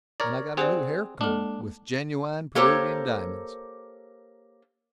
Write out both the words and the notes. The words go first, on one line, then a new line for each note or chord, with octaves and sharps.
And I got a new hair-comb, with genuine Peruvian diamonds.
A#4 C#5 D5 A#5
C4 G4 G#4 C5 D5 F#5
G#3 A#3 D4 A4
A#3 G4 A4 A#4 C5 C#5